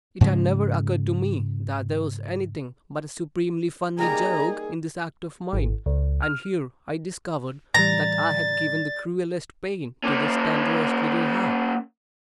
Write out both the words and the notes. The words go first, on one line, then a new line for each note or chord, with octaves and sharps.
It had never occurred to me that there was anything but a supremely funny joke in this act of mine, and here I discovered that I had given the cruelest pain to this tenderest little heart.
G#2 C#3 F3 G#3
G3 A#3 D#4 G#4 A#5
G#1
C#2
F6
A2 E3 G3 D5 A#5 A6
A#3 C#4